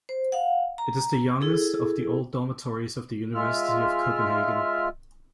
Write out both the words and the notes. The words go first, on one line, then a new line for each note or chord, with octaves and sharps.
It is the youngest of the old dormitories of the University of Copenhagen.
C5
F5 F#5
A#5
E4 G#4 A4
G#3 F4 E5 F6